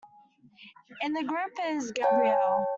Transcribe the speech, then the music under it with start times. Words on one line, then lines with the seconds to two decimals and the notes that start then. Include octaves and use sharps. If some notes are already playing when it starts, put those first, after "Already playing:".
In the group is Gabrielle.
2.02 C#5 G5 A5